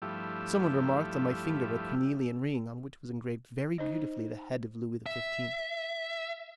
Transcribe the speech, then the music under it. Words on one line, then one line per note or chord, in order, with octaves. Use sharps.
Someone remarked on my finger a cornelian ring on which was engraved very beautifully the head of Louis XV.
G2 F3 A3 E4 G4
D#4 C5 D#5
E5